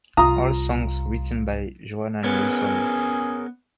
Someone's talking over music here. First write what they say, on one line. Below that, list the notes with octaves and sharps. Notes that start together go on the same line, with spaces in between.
All songs written by Joanna Newsom.
C2 F4 A#5 D#6
B3 C#4 G#4 A#4 C#5